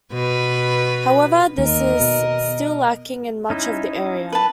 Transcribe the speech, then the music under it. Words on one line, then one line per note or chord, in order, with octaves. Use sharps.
However, this is still lacking in much of the area.
B2 B4
D#2 A#4 D#5
B2
C#4 D#4 E4
B4 A5